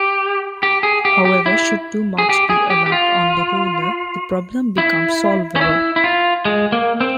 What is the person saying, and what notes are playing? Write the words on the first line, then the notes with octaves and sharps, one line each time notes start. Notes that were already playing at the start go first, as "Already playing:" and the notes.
However, should two marks be allowed on the ruler, the problem becomes solvable.
Already playing: G4
G4
G#4
G4
G4
E4
G#4
G4
G#4
G4
G4
F4
E4
C#4
E4
E4
F4
G#3
A#3
C4